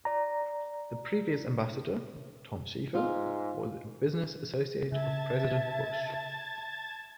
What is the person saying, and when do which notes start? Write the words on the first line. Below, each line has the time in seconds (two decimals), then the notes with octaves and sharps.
The previous Ambassador, Tom Schieffer, was a business associate of President Bush.
0.05 D5 A#5
2.95 G#2 F4
4.92 C#3 E5 A5 G#6 A6